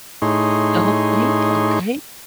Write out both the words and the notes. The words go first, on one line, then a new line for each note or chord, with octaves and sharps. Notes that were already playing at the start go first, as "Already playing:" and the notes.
Okay, okay.
A2 D#4 G#4 C#5 C6